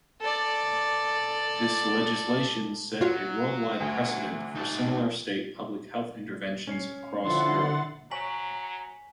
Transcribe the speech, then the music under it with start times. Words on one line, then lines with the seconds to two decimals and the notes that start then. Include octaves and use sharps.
This legislation set a worldwide precedent for similar state public health interventions across Europe.
0.21 A4 D5
3.01 F#3 F4 F#4 C#5
3.80 D2
4.56 D#4 A5
6.67 C#4 C#5 C7
7.21 D3 F3 E4 F#5 C6 A6
8.11 F#3 C5 C#5 G#5 A#5 C#6 B6 F#7